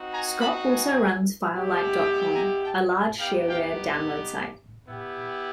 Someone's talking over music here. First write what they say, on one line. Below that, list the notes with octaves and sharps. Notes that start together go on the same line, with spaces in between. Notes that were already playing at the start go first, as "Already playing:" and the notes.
Scott also runs FileLight dot com, a large shareware download site.
Already playing: C4 D#4 F#4
G#5 A#5
A5 B5
G#5 A#5
G#3 B3 E4 G4
G#5 A#5
G5 A5
B3 D#4 G4 F5 G5
F5 G5
B3 E4 G4